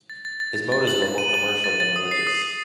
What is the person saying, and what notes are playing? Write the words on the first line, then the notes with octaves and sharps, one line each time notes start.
His motives were more commercial than religious.
A6
A6
A6
A6
A6
F#7
A6
D#7
F#7
F#7
A6
A6
D#6
C7
D#6
C7